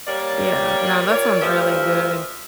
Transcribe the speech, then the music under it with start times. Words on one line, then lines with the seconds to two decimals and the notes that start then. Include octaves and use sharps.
Yeah, no, that sounds really good.
0.07 G3 A#3 C#5 D5
1.10 A#2 A#4 C#5 D5
1.41 D2 G2 F3 A#4 E5